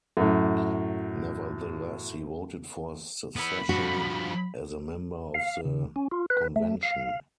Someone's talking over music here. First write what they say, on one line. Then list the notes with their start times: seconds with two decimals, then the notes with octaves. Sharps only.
Nevertheless, he voted for secession as a member of the convention.
0.17 F#2 A2
3.36 B3 E4 B5
3.69 G2 F3 F#4
5.34 F5
5.65 C#3
5.96 C#4
6.12 F4
6.30 B4
6.56 A3
6.83 F5